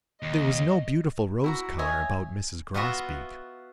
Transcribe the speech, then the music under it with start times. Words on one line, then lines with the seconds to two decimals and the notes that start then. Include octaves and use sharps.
There was no beautiful rose color about Mrs. Grosbeak.
0.22 D#2 D#5
1.44 E4 F#4 A#5
1.79 C#5 D#5 E5 G#5
2.74 B3 F4 F#4 D#5 E5